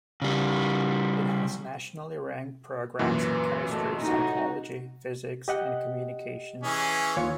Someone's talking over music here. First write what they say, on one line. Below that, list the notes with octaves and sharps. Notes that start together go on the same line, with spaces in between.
It has nationally ranked programs in chemistry, psychology, physics, and communications.
C#3 G3
F#2 A#2 E3 B4
B2 A3
A2 D#4 F#4
G4 D#5 F#5
E3 C#4 G#4
D#2 F4 C#5